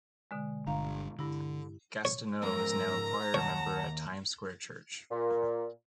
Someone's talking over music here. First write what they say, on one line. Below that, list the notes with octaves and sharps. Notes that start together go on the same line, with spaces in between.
Gastineau is now a choir member at Times Square Church.
B2 D3 G#3
G1 D3 F5 A#5
G2 D3 E4
C#5
G#2 F3 A#4 A#5 E6
D#2 C#5 F#5 A5
A#2